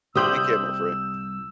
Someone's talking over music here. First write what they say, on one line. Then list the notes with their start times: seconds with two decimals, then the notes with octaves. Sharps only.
Take care, my friend.
0.15 C2 G4 C6 D#6 E6 G6 F#7